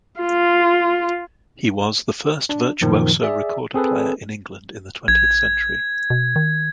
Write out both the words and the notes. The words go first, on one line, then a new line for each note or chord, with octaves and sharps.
He was "the first virtuoso recorder player in England in the twentieth century".
F4
D4
F#2 A#2 D#3 F3
G#4 D5 E5
C4 G#4 A4 B4
A#1 G#6
B2
D#3